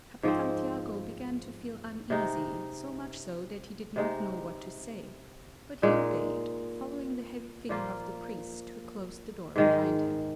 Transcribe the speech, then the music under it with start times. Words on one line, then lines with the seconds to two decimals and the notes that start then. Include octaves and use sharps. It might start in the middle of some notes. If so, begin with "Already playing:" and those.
Capitan Tiago began to feel uneasy, so much so that he did not know what to say; but he obeyed, following the heavy figure of the priest, who closed the door behind him.
0.23 G#2 F3 C4
2.10 C3 G#3 D#4
3.96 C3 G#3 D#4
5.82 A#2 G#3 D#4
7.69 A#2 F3 A#3 F4
9.56 G#2 D#3 G#3